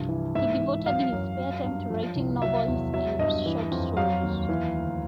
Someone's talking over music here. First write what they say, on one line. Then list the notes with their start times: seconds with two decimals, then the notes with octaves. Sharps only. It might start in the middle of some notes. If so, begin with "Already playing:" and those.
He devoted his spare time to writing novels and short stories.
Already playing: C2 G2 F3
0.08 E3
0.35 G#2 E5
0.60 E3
0.86 F#3 F5
1.12 F#2
1.38 F#3
1.64 G2
1.90 F3
2.16 C2
2.42 F#3 E5
2.68 E2
2.93 F#3 E5
3.19 G2 D#5
3.46 E3
3.72 F2
3.97 F#3 F5
4.23 D#2
4.49 E3
4.74 D2